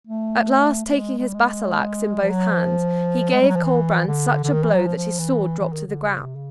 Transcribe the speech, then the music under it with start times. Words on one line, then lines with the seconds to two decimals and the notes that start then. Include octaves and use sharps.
At last, taking his battle-axe in both hands, he gave Colbrand such a blow that his sword dropped to the ground.
0.07 A3
0.85 A3
0.96 G#3
1.18 G#3
1.27 G3
1.34 G#3
2.22 F3
2.29 F#3
2.51 F3
3.34 G#3
3.41 G3
3.49 F#3
3.56 F3
3.63 E3
4.08 D3
4.44 D3
4.52 D#3
4.64 E3
4.74 F#3
4.86 F3
4.96 F3
5.19 E3
5.60 E3
5.73 D#3
5.86 D3
6.08 C#3
6.22 C3
6.35 C#3